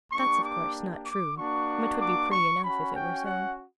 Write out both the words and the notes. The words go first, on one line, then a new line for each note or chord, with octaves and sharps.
That's, of course, not true: but 'twould be pretty enough if it were so.
A#3 D4 G4 C#6
D6
D6
A#3 D4 F#4 C#6
D6
C#6
C#4 F#4 B5
G5
F#5